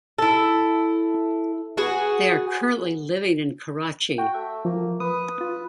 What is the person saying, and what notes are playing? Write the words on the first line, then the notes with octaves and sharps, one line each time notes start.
They are currently living in Karachi.
E4 A4
F#4 G#4 B4
F#4 G5
A3 E5
F3 A#3
B4 D#6
F4